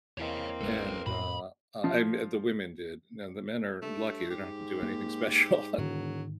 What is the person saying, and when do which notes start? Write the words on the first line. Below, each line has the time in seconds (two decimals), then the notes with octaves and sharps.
And, uh, uh, I men the women did, now the men are lucky, they don't have to do anything special
0.18 E2 A#3 C4 E4 C#5 D#5 F5
0.61 G#1 G#3 C#4 A4 B4
1.06 F2 A2 B5
1.84 F3
3.82 G2 A3
4.30 G#2 G4
4.83 A#3
5.78 E1 G#2 D3 D#3 F#3